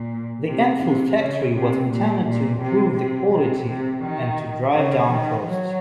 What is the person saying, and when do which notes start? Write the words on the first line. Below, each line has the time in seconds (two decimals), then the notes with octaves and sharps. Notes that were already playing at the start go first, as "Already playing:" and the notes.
The Enfield factory was intended to improve the quality and to drive down costs.
Already playing: A#2
0.47 C3
0.82 C3
1.18 C#3
1.54 C3
1.89 A#2
2.25 A#2
2.61 C3
2.96 C3
3.32 C3
3.67 C3
4.03 D#3
4.75 C#3
5.10 D#3
5.45 F#3